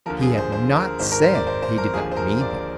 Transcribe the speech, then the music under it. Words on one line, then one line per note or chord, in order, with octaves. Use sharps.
He had not said he did not mean them.
D#2 D3 F3 A#4
G#4
C5
C5
A#4
G#1 G#2 D#3 C5
A#4
C5
D5
C5
C5
A#4
D#2 D3 F3 G#4
C5
A#4
D5